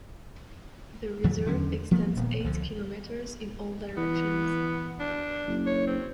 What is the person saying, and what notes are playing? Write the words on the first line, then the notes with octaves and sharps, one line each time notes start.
The reserve extends eight kilometers in all directions.
F2 D#3 F#3 A3
E2 D3 F#3 C#4
F3 A#3 B3
D#1 A#2 B3
C#2 D3 F3
E3 B3
D4
F#1
C#5
C4